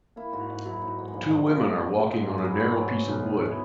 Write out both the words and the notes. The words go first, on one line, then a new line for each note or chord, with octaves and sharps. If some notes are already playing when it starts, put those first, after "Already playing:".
Two women are walking on a narrow piece of wood.
A#3 E4
G#2 F#4
G#2
F#3 E4
G#2 D#4
G#2 B3
G#3
A#1 A#3
A#1 G#3
A#2 A#3
A#1
A#2
A#2
G#2 G#3
F#3 A#3
A#3
F#3 B3
G#2 C#4
G#2
G#2
B1
B1
B2 E4